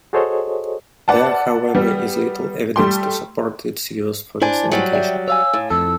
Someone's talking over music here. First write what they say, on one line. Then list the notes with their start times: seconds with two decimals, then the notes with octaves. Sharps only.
There however is little evidence to support its use for this indication.
0.13 F#4 G#4 A4 C5 C#5 D#5
1.08 B4 D5 F#5 A5
1.75 G3 B3
2.76 G3 A3 G4 G5 C6
4.42 D4 E4 C5 G#5
4.72 F#3 G3
4.93 D5 E5 G5
5.28 C#5 F5 G#5 E6
5.53 A2
5.70 F2 A4 E6